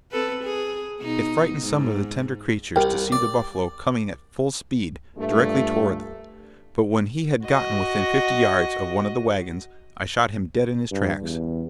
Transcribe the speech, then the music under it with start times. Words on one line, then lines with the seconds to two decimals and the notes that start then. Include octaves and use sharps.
It frightened some of the tender creatures to see the buffalo coming at full speed directly toward them; but when he had got within fifty yards of one of the wagons, I shot him dead in his tracks.
0.12 C4 A4 B4
0.43 G#4
1.00 B2 D#4
1.62 G#2
2.76 C2 A#4 G5
3.12 D5
5.17 G2 A#2 A3
7.45 F#4 D#5
10.91 G2
11.22 E2